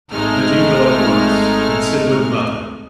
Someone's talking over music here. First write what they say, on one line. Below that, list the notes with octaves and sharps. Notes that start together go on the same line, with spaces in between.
But you go at once and sit with mother.
G#1 G#3 A3 D#4 F6